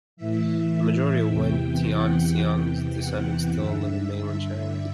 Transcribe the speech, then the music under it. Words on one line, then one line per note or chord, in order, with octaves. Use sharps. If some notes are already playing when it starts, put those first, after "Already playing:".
The majority of Wen Tianxiang's descendants still live in mainland China.
A2 E3 E5
E2 C3 E3 G5
F#5
E2 C3 E3 G5
F#5
G2 D3 E5
E5